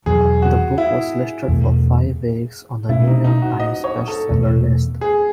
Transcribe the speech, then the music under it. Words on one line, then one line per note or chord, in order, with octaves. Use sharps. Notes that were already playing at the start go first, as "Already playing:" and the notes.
The book was listed for five weeks on the "New York Times Bestseller List".
E2 B2 F#3 G#4
F#4
E4
E2 B2 A3
B2 A3 C#4 E4
D#4
D#4
F#4
D#5
C#5
A4
E2 B2 A3
G#4